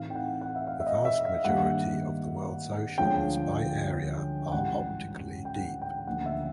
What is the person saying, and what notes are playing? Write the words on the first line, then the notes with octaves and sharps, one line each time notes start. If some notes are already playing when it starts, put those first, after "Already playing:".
The vast majority of the world’s oceans by area are optically deep.
Already playing: A2 E3 A3 C4 D#4 F5
G5
F#5
F#5
E5
F5
E5
D#5
E5
F5
G2 D#3 G3 A#3 F#5
D2 D3 F3 G#3 C#4 G5
A1 G#2 E3 G3 F#5
G5
F#5
G5
D2 C#3 F3 A#3 F#5
E5